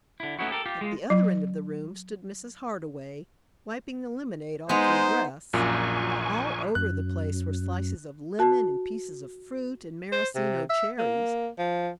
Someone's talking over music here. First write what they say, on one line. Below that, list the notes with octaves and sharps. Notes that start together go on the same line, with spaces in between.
At the other end of the room stood Mrs. Hardway, wiping the lemonade off her dress, while all over the place were slices of lemon and pieces of fruit and Maraschino cherries.
D3 E4
A3 B3 C#4 D#4 E4 F#4
G4 A4 A#4
F4 G4
G#3 F4
F#3
G#3 B3 D#4 B4 C5 A#5
A#1 F#2 A#2 G#5 C#6
F#2 F#6
F#4 A5
C5
C3
E5
A#3
F3